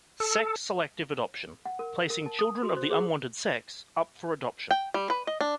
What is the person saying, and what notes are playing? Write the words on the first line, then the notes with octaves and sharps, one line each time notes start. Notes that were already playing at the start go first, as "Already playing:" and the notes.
Sex-selective adoption - Placing children of the unwanted sex up for adoption.
A4
F#5
A#4
A#4
A5
D#6
F#4
C5
G#4
G5
G3
B4
D#5
D4